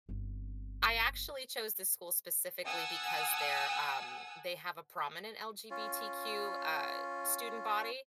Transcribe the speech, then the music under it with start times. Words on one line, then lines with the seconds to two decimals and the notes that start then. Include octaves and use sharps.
I actually chose this school specifically because they're, um they have a prominent LGBTQ, uh, student body,
0.09 G1 C4
2.65 F#5 G#5 A5 D#6 E6
5.70 C#4 F4